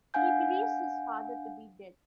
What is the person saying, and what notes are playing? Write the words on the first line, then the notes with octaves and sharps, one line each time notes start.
He believes his father to be dead.
D4 F5 F#5 G#5 G6